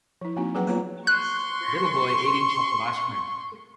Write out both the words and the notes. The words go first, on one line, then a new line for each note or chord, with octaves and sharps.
Little boy eating chocolate ice cream.
F3 E4
F3 A#3 C4 D#4 F#4
F#3 G#4 B4 F#5 G5 A#5
A#3 B3 F4 C#5 A#5
C6 C#6 F#6